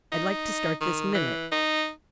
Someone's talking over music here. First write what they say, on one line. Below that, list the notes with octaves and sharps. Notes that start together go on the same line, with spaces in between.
I'd like to start this minute.
D#4
D#3
E3
D#4